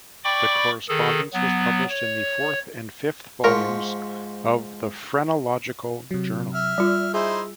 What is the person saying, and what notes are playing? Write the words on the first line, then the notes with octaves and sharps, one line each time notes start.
The correspondence was published in the fourth and fifth volumes of the "Phrenological Journal".
D5 G5 B5 C#6 D6
D#3 G#4 A4
F#3 B3
C#5
G#2 F3 A#4 C#6
C3 F#3
E5 F6
G3 F4 D5
D#4 E4 G#4 C5 E5